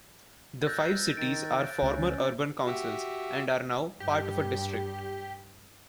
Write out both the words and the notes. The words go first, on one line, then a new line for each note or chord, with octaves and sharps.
The five cities are former urban councils and are now part of a district.
E6 F#6 G6 A6 A#6
D#3 A6 D7
C#2 C#4
F#4 G4 E5
G2 G4